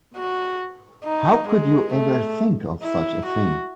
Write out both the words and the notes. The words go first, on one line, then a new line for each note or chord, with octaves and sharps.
How could you ever think of such a thing?
F#4
D#4
G#3
A3
E4
F#4